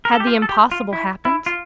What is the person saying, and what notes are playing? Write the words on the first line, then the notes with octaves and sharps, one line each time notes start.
Had the impossible happened?
A#4
A4
G4
F4
A4
G4
F4
E4
E4
F4